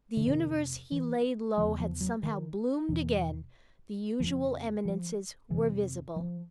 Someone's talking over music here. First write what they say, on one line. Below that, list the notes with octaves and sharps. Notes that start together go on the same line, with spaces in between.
The universe he laid low had somehow bloomed again--the usual eminences were visible.
D3
F2 C3 D#3
E3
E2 C#3 F3
F3
F#3
D#3
E2 B2 E3
F2 C#3 F3
F3
F2 C3 E3
F3